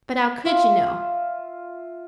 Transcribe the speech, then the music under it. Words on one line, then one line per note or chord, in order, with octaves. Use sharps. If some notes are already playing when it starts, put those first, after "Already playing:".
"But 'ow COULD you know?"
F4 E5